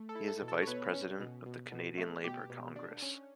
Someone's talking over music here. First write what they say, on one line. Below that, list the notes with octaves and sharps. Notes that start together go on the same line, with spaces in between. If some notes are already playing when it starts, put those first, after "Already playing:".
He is a vice-president of the Canadian Labour Congress.
Already playing: A3
A4
E4
A4
B2
A4
C#5
B2 B4
C#4
B2
B2
B2
A3
B2 G4
B2
D4
C#4